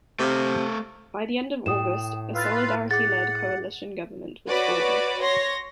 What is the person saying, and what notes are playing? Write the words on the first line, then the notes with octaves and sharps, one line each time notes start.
By the end of August, a Solidarity-led coalition government was formed.
C3 A3 F5
A2 G5 D#6 E7
F4 B4 F5 E6 F6 A6
G#4 F#5 D6 A6
F#4 B4 C#5 D5
C#5 C6 A#6